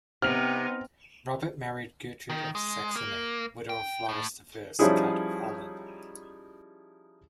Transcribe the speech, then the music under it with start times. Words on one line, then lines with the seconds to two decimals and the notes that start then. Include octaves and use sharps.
Robert married Gertrude of Saxony, widow of Floris the First, Count of Holland.
0.22 C3 B3 D#4 F6 F7
2.30 D#3
2.55 G#3
2.96 A#3
3.69 G5
4.09 A2
4.79 F3 G3 C#4 D#4 E4 G#4